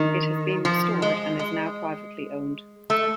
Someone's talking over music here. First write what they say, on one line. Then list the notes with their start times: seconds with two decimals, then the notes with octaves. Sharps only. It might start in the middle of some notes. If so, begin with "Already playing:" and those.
It has been restored and is now privately owned.
Already playing: D#3
0.65 F3
1.02 G#3
1.39 G#3
2.90 A3